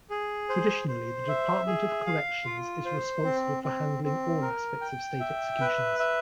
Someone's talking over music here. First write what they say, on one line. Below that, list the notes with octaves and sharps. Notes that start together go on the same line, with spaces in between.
Traditionally the Department of Corrections is responsible for handling all aspects of State executions.
G#4
C5
C5
E5
G#4
F5
F4
C5
C4
C4
C4
A#4
G5
E5
B4
E5